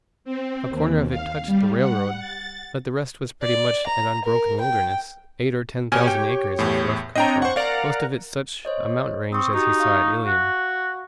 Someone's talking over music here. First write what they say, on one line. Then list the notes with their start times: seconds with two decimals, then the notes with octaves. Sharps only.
A corner of it touched the railroad, but the rest was pretty much an unbroken wilderness, eight or ten thousand acres of rough country, most of it such a mountain range as he saw at Ilium.
0.25 C4
0.69 D#2
1.10 F5
1.46 G3
1.77 F#5
2.19 A6
3.42 D5
3.86 A#5
4.25 A#4
4.61 G5
5.92 B2 G4 C#5 G#5 F6
6.07 G5
6.59 E2 A2
7.15 C4 D4 C#5 D#5 G5 A#5
7.42 C5 F#5 C#6
7.56 A#4 D5 F5 F#5 A#5
8.65 C5 C#5 D#5
9.33 C4 C#6 D#6
9.54 D#4 F#4 G4
9.80 F5 C#6
10.26 F#4